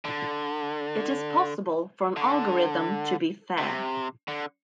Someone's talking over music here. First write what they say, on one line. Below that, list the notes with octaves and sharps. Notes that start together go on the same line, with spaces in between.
It is possible for an algorithm to be fair.
D3
D3
C3
D3